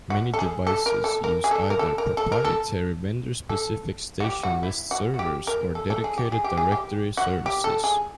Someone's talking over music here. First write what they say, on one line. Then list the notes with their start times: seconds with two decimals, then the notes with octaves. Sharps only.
Many devices use either proprietary vendor-specific station list servers or dedicated directory services.
0.10 F#4
0.34 A4
0.39 G#4
0.67 A4
0.86 A#4
1.04 A4
1.24 A#4
1.44 G#4
1.51 A4
1.70 A#4
1.79 A4
1.98 A#4
2.17 A4
2.32 A#4
2.45 A4
3.49 A4
4.20 F#4
4.24 G4
4.43 F#4
4.63 E4
4.91 F#4
5.14 F#4
5.19 G4
5.47 A#4
5.75 A4
5.90 A4
6.04 G#4
6.18 G4
6.32 G#4
6.44 G4
6.58 G#4
6.72 G4
7.17 F#4
7.46 G4
7.64 A4
7.84 G#4